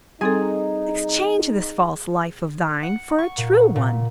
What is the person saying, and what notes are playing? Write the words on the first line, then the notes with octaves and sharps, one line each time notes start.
Exchange this false life of thine for a true one.
G3 C4 D#4 G#4 A4
F#5
C#6
A#2
A#2